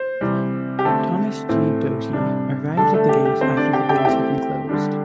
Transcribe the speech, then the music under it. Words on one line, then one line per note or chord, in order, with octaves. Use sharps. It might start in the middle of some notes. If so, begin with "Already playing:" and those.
Thomas G. Doty arrived at the gate after the doors had been closed.
Already playing: C5
C3 E3 G3 C4
G4
D3 A3 C4 A4
A2 E3 A3 C4
C3 G3 D4
D3 G3 D4 A4 A5
A3 A4
G4
G4
D3 A3 C4 C5
D4 D5
G4 G5
G4 G5
E5
E3 A3 C4 G4 G5
D3 G3 D4